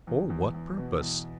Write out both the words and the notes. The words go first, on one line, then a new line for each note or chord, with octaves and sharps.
"For what purpose?"
E2
E2
E2
B2
E2